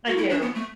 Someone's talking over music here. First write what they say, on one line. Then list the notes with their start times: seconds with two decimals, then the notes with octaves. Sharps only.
I do.
0.07 F#4
0.16 E4
0.30 D4
0.42 B3
0.55 A3